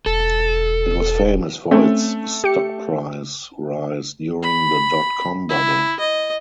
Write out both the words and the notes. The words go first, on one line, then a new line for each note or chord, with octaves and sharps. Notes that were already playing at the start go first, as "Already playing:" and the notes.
It was famous for its stock price rise during the dot-com bubble.
E1 A4
A3 C4 C#4
G4 C#7
B5
E4
D#5